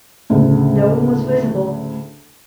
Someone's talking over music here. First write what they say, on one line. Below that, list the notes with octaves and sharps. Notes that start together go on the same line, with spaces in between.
No one was visible.
D2 A2 C#3